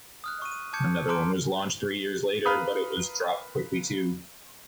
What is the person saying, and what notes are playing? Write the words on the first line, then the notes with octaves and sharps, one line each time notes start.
Another one was launched three years later, but it was dropped quickly too.
D#6 F6 F#6
C#6 D#7
A5 D6 G6 G#6 C#7
A5 A#5 C6 D6 F6 D7
A#4 B4 F5 B5 D#6